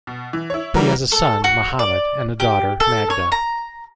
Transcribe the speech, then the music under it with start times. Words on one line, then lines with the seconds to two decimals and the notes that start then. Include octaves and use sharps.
He has a son, Mohammad, and a daughter, Magda.
0.07 B2
0.33 E3
0.50 E4 C#5
0.74 E3 G3 F#4 A#4 A#5
1.12 A4
1.44 F#4
1.79 D5
2.40 G4
2.80 A4
3.10 C#5
3.32 A#5